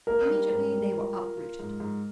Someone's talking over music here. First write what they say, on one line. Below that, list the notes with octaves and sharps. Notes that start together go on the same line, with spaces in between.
Immediately they were uprooted.
A#3 A#4
G3
G#2
G3
F4
F4
F4
G#2
G#2